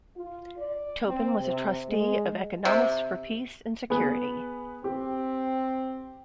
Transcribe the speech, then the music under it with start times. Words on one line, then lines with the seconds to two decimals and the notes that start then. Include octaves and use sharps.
Tobin was a trustee of Economists for Peace and Security.
0.15 F4
0.58 D5
1.06 C4
1.39 C3
1.89 G#3
2.65 C3
3.90 B3 G#4 B4
4.84 C4 G4